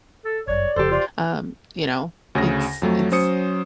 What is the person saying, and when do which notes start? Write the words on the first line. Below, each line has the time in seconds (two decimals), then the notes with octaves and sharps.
um, you know, it's it's
0.25 A4
0.47 G1 F#2 C#5 D5
0.76 F1 C#3 F3 G4 A4 C5
0.91 F4 D5
2.35 D2 C#3 G#4 A#6
2.82 F2 F#3 A3
3.12 F#3 C#4 C5 D#6 C#7